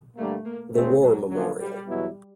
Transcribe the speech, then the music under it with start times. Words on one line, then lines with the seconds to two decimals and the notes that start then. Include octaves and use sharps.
The war memorial.
0.17 G2 D3 G3 A3 A#3
0.45 A#3
0.73 E2 C#3 E3 G#3 A3 C4
1.02 F#3
1.31 D3 F3 F#3 A#3
1.59 G3
1.88 E2 B2 F#3 B3 E4